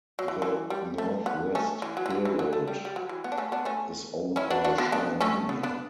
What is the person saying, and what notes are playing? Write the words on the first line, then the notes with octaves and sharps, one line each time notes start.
The Northwest Herald is owned by Shaw Media.
F#3
E3
E3
G3
A3
B3
A3 C#4
E3
F#3
E3
F#3
E3
F#3
A3
G3
G3
F#3
E3
B3
D4
A3 C#4
B3 D4
A3 C#4
C#4 E4
D4 F#4
D4 F#4
B3 D4
B3 D4
A3 C#4
B3
B3 D4